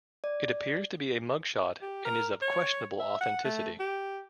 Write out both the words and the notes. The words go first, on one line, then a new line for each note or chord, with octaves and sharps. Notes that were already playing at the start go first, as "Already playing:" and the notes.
It appears to be a mugshot and is of questionable authenticity.
D5
G4
A#4
C#5
E5
F#5
A3
G4